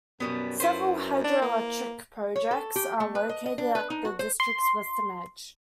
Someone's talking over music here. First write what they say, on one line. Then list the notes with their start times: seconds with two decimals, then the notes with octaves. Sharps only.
Several hydroelectric projects are located at the district's western edge.
0.20 F#2 B2 G3 B3
0.60 F#2 E4 B4 C5
1.24 D4
1.42 A#3
2.36 C#5
2.51 A4
2.76 G4
3.00 A3
3.15 B4
3.29 D#5
3.46 D#5
3.58 D4
3.75 B4
3.90 D#4
4.05 F#4
4.19 C5
4.40 C6